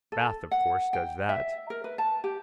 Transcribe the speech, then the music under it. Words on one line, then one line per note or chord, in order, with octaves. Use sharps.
Bath of course does that.
A4
F#5
G5
E5
A#4
B4
A5
G4